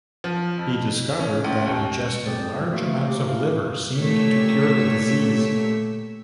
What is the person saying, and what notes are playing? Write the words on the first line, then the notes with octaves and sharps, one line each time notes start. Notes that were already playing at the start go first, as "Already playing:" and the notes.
He discovered that ingesting large amounts of liver seemed to cure the disease.
F3
F2
C#4
C#2
D#2
C4 G#4 A4 C5 D5
A3 A#3 F#4 E5
G4
E5 F5
A#2 A3 G4 C#5 E6 B6